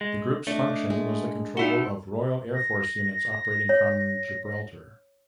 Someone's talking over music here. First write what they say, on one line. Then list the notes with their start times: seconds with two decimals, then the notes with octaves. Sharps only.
The Group's function was the control of Royal Air Force units operating from Gibraltar.
0.01 G#3
0.47 A3 D4 D#5
0.90 G#3
1.57 D#4 E4 F#4 A4 C6
2.54 A#6
3.69 C#5